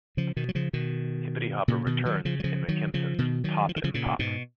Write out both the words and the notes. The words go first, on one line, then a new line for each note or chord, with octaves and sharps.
Hippety Hopper returns in McKimson's Pop 'Im Pop!
C#3 F3
B2 D#3
F#3
C#3 F3
B2 D#3
A#2 C#3
B2 D#3
D#3 F#3
C#3 F3
F#3
C#3 F3
D#3 F#3
C#3 F3
B2 D#3
D#3 F#3
F3
D#3
C#3 F3
A#2 C#3
G#2 B2